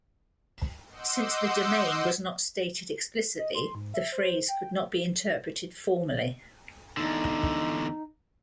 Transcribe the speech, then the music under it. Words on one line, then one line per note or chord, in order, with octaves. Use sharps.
Since the domain was not stated explicitly, the phrase could not be interpreted formally.
D#5 F#5 C6 D6 E6 G6
D#5
C6
G#2
E5
C5
G5
E2 D3 D#4